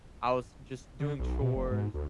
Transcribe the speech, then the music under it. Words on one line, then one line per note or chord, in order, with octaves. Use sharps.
I was just doing chores
D3
B1
B2
F1
G#2
D2